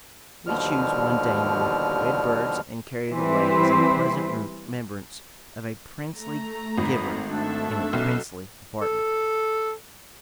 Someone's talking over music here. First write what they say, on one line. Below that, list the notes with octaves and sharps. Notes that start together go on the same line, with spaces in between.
We choose one dainty with red birds, and carry it away as a pleasant remembrance of a princely giver, in a princely apartment.
D#2 B2 D3 F3 G3 F6
E3 G3 C4 E4 B4 C5
A3 A#5
G#1 B5 D#6
A3 D4 A4 E5
B1 C#4
A4